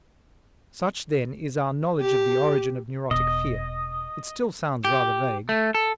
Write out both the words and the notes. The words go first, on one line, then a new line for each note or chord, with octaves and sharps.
Such then is our knowledge of the origin of neurotic fear; it still sounds rather vague.
G4
E1 B2 D#5
G4
A3
A4